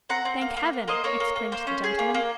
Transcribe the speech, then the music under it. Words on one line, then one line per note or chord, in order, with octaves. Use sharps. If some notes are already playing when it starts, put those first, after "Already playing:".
'Thank Heaven!' exclaimed the gentleman.
C4 F#5 A#5
C4
A#3
A#3
A#3
A#3 C5 D#5
A#3 A#4 C#5
A#3
A#3
A#3 C5
C#4
G#4
A#3
A#3